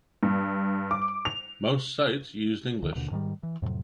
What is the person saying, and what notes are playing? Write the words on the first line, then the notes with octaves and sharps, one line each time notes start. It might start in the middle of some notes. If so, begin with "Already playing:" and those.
Most sites used English.
G2
D6
F7
D2 D#3
D#2 B2 D3
G#2 D#3 F3 G3
E3
F2 A2 C3 F#3